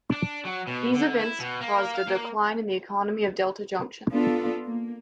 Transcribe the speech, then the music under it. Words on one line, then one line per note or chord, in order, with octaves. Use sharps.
These events caused a decline in the economy of Delta Junction.
D4
F#3
B2
D3
E4
B2
A#3
F5
A#3
B3 D4 F4 A4
A#3